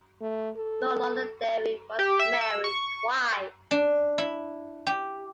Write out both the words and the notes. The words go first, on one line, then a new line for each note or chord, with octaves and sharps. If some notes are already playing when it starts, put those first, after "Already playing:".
Lord Londonderry was married twice.
A3
A4
G4
E5
E6
C#6
D4
E4
G4